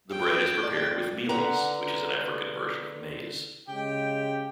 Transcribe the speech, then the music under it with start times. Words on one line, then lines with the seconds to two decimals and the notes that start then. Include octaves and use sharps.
The bread is prepared with mealies, which is an African version of maize.
0.10 G5
0.63 D5
1.29 D3 B4 F#5 A#5
3.68 C#3 G#3 G4 G5